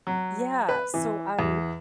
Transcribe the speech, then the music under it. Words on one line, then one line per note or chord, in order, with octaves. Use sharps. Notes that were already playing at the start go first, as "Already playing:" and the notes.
Yeah, so, um,
F#3
B4
E3
E2